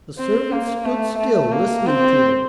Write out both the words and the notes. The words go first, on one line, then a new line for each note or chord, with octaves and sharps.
The servant stood still listening to them.
C4
A#3
A3
A3
A#3
C4